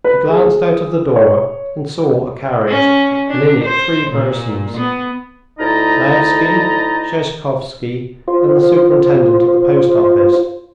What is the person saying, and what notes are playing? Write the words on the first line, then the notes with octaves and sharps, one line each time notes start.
He glanced out of the door and saw a carriage and in it three persons: Laevsky, Sheshkovsky, and the superintendent of the post-office.
B4
G#4
C#5
C#4
D4
C5
A#2
B3
D2 D#4 E4 D#5 A5 A#5
F4 C5